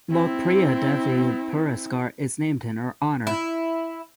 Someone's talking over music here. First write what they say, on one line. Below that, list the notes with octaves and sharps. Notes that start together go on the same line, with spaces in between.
Lok Priya Devi Puraskar is named in her honour.
C4 E4
E4